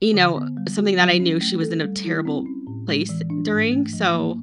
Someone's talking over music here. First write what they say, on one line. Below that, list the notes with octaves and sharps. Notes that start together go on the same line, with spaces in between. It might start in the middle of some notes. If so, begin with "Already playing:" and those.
you know, something that I knew she was in a terrible place during, so
D3
B3
G3
F#4
F#3
C#4
A3
A4
G3
E4
C4
C#4
A2
G#3
E3
D4
G#2
A3
F3
A#3